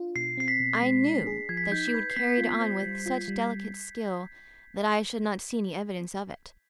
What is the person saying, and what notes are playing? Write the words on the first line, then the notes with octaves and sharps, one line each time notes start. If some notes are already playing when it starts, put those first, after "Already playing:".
I knew that she would carry it on with such delicate skill that I should not see any evidence of it.
Already playing: D4 F4
B2 C7
C4 C7
B6
B2
G#3
D4
G#4
F3 G#6
B6
G#6
D#4 G6
G6
B4 G#6
C7
B3 B6
F4
C5
G3
F4
G3